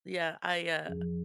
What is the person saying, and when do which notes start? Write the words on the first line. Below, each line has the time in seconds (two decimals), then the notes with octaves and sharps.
Yeah. I, uh,
0.86 F2 F3 C#4 G#4